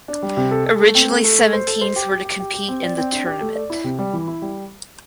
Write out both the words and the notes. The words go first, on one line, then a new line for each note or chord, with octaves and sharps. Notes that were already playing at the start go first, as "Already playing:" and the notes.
Originally seven teams were to compete in the tournament.
D4
G3
C3
A4
A4
A3
C4
A3
A3
A3
C5
A4
C5
G4
G4
G4
G4
G4
C4
D5
C4
D4
G4
A3
D5
E4
C3
G3
E3
E4
G3